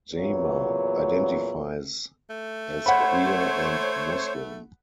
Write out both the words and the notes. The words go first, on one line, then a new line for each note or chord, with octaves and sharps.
Jama identifies as queer and Muslim.
E2 A#2 F#3 C#5
A3
C5 C#5 F#5 B5